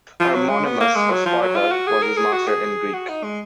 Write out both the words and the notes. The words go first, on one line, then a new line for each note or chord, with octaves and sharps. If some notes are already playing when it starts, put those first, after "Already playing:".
Hermonymus of Sparta was his master in Greek.
F3
F#3
G#3
B3
A#3
G#3
F#3
F3
F#3
F4
F#4
G#4
A#4
G#4
F#4
G#4
F#4
D#4
G#3